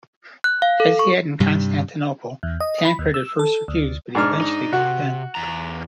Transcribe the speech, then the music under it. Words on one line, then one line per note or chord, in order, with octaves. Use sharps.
As he had in Constantinople, Tancred at first refused, but he eventually gave in.
F#6
F5
A4
C#6
G2 C3 G3
E2
D#5
B5
D#2
E6
A4
D2
G#2 D4 F6
D#4
C3 F#4
E2 A#5